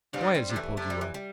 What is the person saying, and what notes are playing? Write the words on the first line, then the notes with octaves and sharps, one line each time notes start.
Why has he pulled you up?
G2 G3 C4
A2
G3 C4
C3
E3 A3
C3 A3
G3
E3
G3